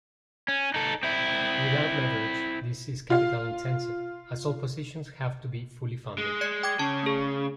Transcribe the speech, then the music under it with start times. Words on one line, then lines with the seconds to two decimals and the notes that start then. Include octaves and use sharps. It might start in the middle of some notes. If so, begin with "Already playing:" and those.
Without leverage this is capital intensive as all positions have to be fully funded.
0.48 C#4
0.74 D#4 A4
1.03 C4 E4
3.10 F4 F5
6.18 G#3
6.41 D5 G#6 C#7
6.63 G5 D6 G#6
6.79 C#3 A5
7.03 A3 G#4